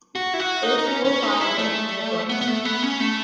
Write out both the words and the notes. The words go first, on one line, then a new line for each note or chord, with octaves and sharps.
This you will find written in their books.
F#4
E4
F#4
D#4
D#4
C#4
C#4
D#4
E4
A3
B3
B3
A3
B3
C#4
A3